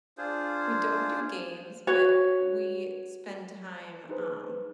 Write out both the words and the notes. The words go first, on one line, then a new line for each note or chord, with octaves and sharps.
we don't do games, but we spend time, um
D4 F4 G#4 C5
F#4 B4 C#5
D#4 G#4 B4 C5